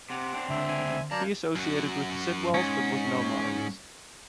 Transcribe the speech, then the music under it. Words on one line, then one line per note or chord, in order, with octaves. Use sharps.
He associated with the Sitwells, but was no modernist.
C3 F#5 D6
C4 D4
C#2 D3 E5
G#5
F#2 D5 F5 A5 A#5
F#2 F#4
G#2 C#4